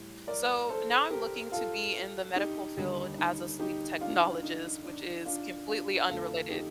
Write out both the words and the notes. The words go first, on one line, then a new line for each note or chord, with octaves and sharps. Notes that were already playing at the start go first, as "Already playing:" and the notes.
So, now I'm looking to be in the medical field as a sleep technologist, which is completely unrelated.
Already playing: A2 G3
A#4 D5
A4 C5
G4 A#4
F4 A4
D#4 G4
D#2 D3 G3 D#4
D#4
D#4 G4
D4 F4
D#4
D4
D4 F4
D4 F4
F2 D3 A3 F4 A4
D#4 G4